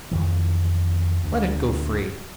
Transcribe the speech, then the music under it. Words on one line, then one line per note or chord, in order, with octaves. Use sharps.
Let it go free.'
F2 D#3 E3
D2